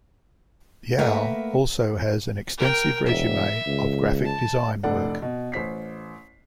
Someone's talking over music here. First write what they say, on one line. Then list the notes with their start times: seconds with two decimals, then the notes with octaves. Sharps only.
Yow also has an extensive resume of graphic design work.
0.98 A3 A#3 A#4 B4 E5 F#5
2.58 A#4 G5
3.07 E1 E5
3.67 C#2
4.25 A5
4.83 F1 A2 D4 A4 D5 F#5
5.22 B2
5.52 A1 C5 B6 C7